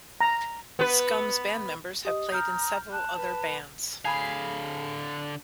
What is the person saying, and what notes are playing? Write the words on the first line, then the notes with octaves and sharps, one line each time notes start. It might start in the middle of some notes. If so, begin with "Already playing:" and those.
Scum's band members have played in several other bands.
A#5
B3 B4
G4 D#5 D#6
A#5 F6 G6
A5 F#6
B4
D3 G#4 F5 B5